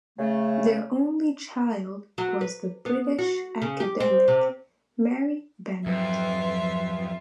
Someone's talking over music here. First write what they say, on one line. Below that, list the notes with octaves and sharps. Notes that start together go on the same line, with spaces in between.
Their only child was the British academic, Mary Bennett.
C#3 A3
F#3
B4
B3
F#4
C#3
G4
C4
C3
F2 G#2 F#3 F4 B4 E5